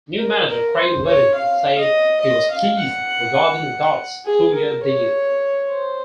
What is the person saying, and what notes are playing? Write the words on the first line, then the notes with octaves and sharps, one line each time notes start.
New manager Craig Levein said he was "pleased" regarding Dods' two-year deal.
A#4
A#4
C5
C#5
F5
D#5
D#5
F5
F#5
G#4
A#4
C#5
C5